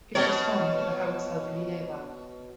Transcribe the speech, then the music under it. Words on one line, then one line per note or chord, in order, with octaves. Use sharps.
It was home to the house of Leiva.
B2 C#5